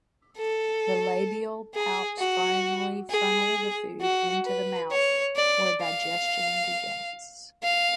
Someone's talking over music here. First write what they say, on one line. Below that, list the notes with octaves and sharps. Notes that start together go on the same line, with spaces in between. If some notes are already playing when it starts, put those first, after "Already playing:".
The labial palps finally funnel the food into the mouth, where digestion begins.
A4
G#4
F#4
G#4
F#4
B4
C#5
D5
F5
F5